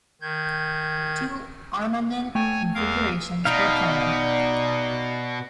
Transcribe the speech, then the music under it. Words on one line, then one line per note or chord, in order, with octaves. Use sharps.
Two armament configurations were planned.
D#3 G6 G#6
A3 C#5 G5 G#5
E2 A#4 F5
B2 D#4 D5 F5